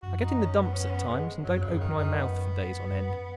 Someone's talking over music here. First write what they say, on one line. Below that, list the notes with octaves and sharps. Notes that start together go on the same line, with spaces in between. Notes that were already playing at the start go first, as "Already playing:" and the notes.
I get in the dumps at times, and don't open my mouth for days on end.
F#2 F#4
D#4
C#4
B3
C#4
B3
G#3
F#2 F#3
F2 C#3
F#2
D#3
F#2
D#3
B3
F#2